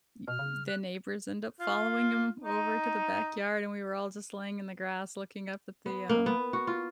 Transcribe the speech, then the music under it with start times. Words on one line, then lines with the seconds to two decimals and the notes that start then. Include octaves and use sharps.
you the neighbors end up following him over to the backyard, and we were all just laying in the grass looking up at the, um,
0.28 B2 F6
0.39 C#3
0.68 F#6
1.60 F4
2.44 D#4
5.86 B3
6.09 A#3
6.26 B3
6.53 F#4
6.67 F4